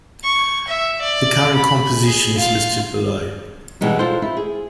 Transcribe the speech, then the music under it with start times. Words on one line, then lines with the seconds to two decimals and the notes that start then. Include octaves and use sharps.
The current composition is listed below.
0.24 C#6
0.68 E5
1.02 D5
1.54 B5
2.06 G#4
2.37 F4
3.81 B2 E3 G3 G#3 D#4
3.99 F4 A4 C5
4.22 E4
4.37 G#4